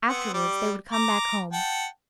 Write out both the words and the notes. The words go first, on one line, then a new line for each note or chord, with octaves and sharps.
Afterwards they would come back home.
B3 C4 F#5
G3 G4 D5
A#5 D6
F#5 G5 A5